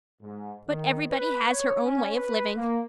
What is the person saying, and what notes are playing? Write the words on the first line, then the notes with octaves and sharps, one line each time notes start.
But everybody has her own way of living . . .
G#2
D#3
B4
C#5
C#4
B4
A#3